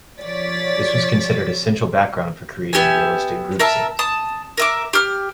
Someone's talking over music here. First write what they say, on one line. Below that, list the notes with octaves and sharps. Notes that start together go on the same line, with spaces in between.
This was considered essential background for creating realistic group scenes.
F3 C#5 D5 A6 B6
B3 G4 E5 G#5
A#4 E5 A5
A5 D#6
A#4 E5 D6
G4 F6